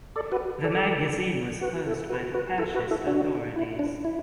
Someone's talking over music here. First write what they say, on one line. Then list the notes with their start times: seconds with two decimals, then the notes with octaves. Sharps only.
The magazine was closed by the fascist authorities.
0.16 A4 D5
0.32 F#4 B4
0.64 A4 D5
1.61 F#4 B4
1.85 E4 A4
2.10 F#4 B4
2.34 F#4 B4
2.58 E4 A4
2.74 F#4 B4
2.91 E4 A4
3.07 D4 F#4
3.56 E4
3.79 D4
4.04 E4